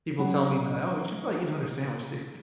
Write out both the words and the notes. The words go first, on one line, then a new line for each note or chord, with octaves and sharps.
People tell me they're like "Oh, you should probably eat another sandwich, dude."
F#3 C#4 C#5 F#5